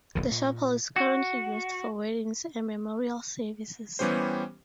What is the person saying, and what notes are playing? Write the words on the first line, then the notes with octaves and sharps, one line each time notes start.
The chapel is currently used for weddings and memorial services.
D#1 B1 D#3
A#2
F#4
E3 G3 B3 C#4 G4 C5